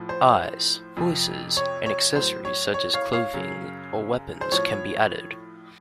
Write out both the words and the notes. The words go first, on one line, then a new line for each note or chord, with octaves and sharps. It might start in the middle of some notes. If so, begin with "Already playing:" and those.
Eyes, voices, and accessories such as clothing or weapons can be added.
Already playing: A2 F3
C5
F2 C3 F3
C#5
C#5
A2 F#3 C5
C#5
C#5
C#5 F5
C#5 F5
F#2 C#3 F#3
C5
A2 F3 C#5